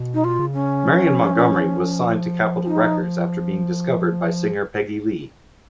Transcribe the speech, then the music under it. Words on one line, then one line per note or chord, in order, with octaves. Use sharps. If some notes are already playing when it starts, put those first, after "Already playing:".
Marion Montgomery was signed to Capitol Records after being discovered by singer Peggy Lee.
Already playing: B2
D#4
F4
C#3
C#4
F3
D#4